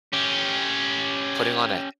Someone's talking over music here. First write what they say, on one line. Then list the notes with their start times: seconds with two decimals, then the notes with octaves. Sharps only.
putting on a
0.13 C#4 G4